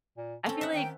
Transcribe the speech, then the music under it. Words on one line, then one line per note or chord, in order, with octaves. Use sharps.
I feel like
A#2
C4 C#4 A4
E5 F#5
D#3 G5